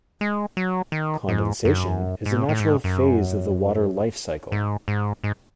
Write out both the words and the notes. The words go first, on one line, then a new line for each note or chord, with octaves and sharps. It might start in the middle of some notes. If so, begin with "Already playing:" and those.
Condensation is a natural phase of the water life cycle.
G#3
F#3
D#3
G#2
F#2
G#2
A2
A2
G#2
F#2
G#2
G#2
G#2